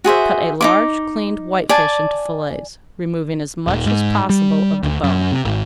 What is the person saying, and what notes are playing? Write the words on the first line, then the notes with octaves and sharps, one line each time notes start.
Cut a large cleaned whitefish into fillets, removing as much as possible of the bone.
F#4 G#4 C5 E5
D#4 E4 D6
D5 G#5 A5
D#1
G#2
G3
D2
F#2
C3
G#1